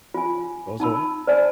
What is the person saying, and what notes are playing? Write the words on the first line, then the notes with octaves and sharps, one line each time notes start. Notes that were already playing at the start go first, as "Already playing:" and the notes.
goes away.
F4 G#5
D#4 A5 B5 E6
C5 D5 G#5 A5